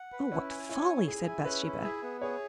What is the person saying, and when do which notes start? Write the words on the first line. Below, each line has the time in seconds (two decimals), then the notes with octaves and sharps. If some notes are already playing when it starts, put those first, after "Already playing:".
"Oh, what folly!" said Bathsheba.
Already playing: F#5
0.12 B4
0.32 C#4 E4
0.50 G#5
0.69 E4 C#5
0.89 G#5
1.07 G#4 G#5
1.27 E4
1.45 C#4 B4
1.65 E4
1.83 G#4 E5
2.03 B3
2.22 G#4 C#5